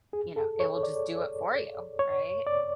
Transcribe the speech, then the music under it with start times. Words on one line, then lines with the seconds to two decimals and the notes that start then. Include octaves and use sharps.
you know, it will just do it for you, right?
0.13 G#4
0.36 A4
0.60 C#5
0.83 D5
1.99 C#5
2.47 D5